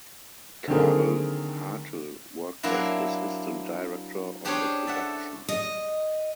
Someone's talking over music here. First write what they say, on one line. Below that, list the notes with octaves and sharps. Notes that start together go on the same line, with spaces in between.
Karl Hartl worked as assistant director on the production.
D3 D#3 F#3 A#3 C4 G#4
F#3 A#3 C4 D4 E4
C#4 D4 G4 G#4 C5 C#5
A4 E5 F#5
D#5